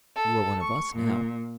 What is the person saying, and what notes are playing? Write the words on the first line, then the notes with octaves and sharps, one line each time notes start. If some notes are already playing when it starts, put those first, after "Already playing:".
You are one of us now.
A4
C#6
A#2